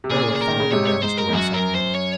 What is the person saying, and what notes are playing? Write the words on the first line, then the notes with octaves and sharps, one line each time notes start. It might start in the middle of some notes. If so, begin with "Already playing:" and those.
Therewith Merlin vanished away suddenly.
C3
A#2 C#3 G#4
G#4
A#4
D#3
C#3
G#2 C3 C#5
C#5
G#2 C5
A#4
G#2
F#2 F#4
A#4
C5
C#5